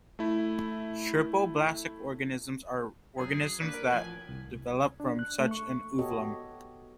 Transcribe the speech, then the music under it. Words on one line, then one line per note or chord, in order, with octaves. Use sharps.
Triploblastic organisms are organisms that develop from such an ovum.
A3 E4
F#2 G#4
A#3 D4 B4
A#4
A1 F3 G#5 F#7
C2
D4
F#6
A3
C#6
B3 F#4 G4 A4 C#5 D#5